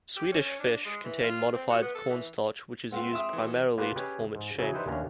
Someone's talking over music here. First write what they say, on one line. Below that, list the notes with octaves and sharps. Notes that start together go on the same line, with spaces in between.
Swedish Fish contain modified cornstarch which is used primarily to form its shape.
G4
C#4
C#4
D4
G#3
E3
F4
C4
F#4
B3
A4
E3
G#3 C4 F4 B4 F#5
E5 D#6 E7
B2 E3
A#3 F4 G4 G#4 A#4 B4
C#4 G4 G#4 B4 C#5 D#5
G#2
C#3 F#3 E4 G#4
D#4 E4 G4 B4 C5 D5
D#2 A3 C#4 D4 A#5